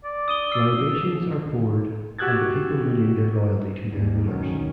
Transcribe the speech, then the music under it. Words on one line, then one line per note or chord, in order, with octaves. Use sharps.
Libations are poured and the people renew their loyalty to their rulers.
D5
D#6 D#7 G7
E6 C7
F#4 G4 E6 F#6 G#6 A6
D#2 G3
D2 B2 D#3 F#3 C#4